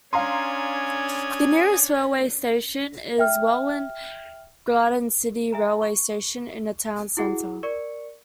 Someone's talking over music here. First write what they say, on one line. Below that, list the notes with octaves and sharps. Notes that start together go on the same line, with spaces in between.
The nearest railway station is Welwyn Garden City railway station in the town centre.
C#4 D4 F5 G#5 A#5 C6 D#6
E5 G5 F6
E5 G#5 A#5
C#6
E4 F#4 G#4 F#5
A#4 D5 C#6 C#7